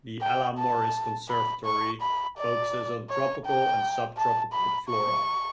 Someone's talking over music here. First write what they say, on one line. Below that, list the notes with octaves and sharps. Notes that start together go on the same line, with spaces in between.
The Ella Morris Conservatory focuses on tropical and subtropical flora.
G5
A5
B5
C#6
B5
D5
C#5
G5
A5
B5
C#6